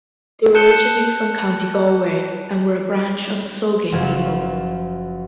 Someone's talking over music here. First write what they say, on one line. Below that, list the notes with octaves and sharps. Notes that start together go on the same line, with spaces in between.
They were originally from County Galway and were a branch of the Soghain people.
A5 F#6 G6 C#7 E7 G7
F#1 F#2 F3 G#6 E7